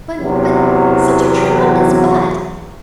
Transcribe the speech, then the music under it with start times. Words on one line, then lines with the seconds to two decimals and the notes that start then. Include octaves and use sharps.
But--but--such a tremendous but!
0.19 E2 C3 F#3